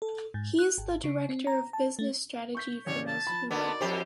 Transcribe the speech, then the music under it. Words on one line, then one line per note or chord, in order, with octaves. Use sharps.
He is the Director of Business Strategy for Mazzuma.
A4
G#2
F#6
G#1
C#3
C4
A#5
A5
A3
C#6 G6 B6
A1 C#3 C#5 D5
A5
F3 B5
D3 B3 D#4 F#4 A#4 D5
F2 G4 C5